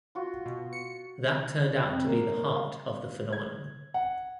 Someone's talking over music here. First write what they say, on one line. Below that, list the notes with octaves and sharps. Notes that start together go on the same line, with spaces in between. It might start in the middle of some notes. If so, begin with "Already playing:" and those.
That turned out to be the heart of the phenomenon.
F4 F#4
B2
C#7
F2
A#3
F5
G#6
F#5